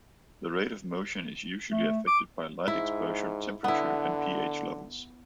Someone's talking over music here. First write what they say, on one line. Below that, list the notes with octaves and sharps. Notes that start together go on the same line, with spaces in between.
The rate of motion is usually affected by light exposure, temperature, and pH levels.
A3
D6
G#2 E4
D3 B3 E4